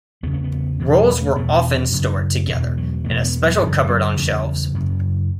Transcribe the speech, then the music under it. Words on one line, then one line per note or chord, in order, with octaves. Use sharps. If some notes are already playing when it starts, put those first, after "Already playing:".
Rolls were often stored together in a special cupboard on shelves.
E2 C#3 B3
C#4
B3
E2 B2 E3
F#3
B3
A3
E2 B2 B3
F#2 C#3
E2 B2 E3
F#3
E2 B2 A3
B3
F#3
F#2 C#3 E3
E3
F#3
E2 C#3
F#2 C#3